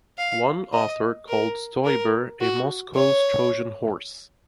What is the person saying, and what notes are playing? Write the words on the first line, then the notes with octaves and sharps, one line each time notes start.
One author called Stoiber a "Moscow's Trojan Horse".
F5
D#5
A#4
A#4
F#4
C#5